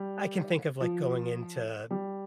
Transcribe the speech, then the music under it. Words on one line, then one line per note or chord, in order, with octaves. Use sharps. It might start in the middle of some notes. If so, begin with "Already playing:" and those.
I can think of, like, going into
Already playing: G3
F3
G3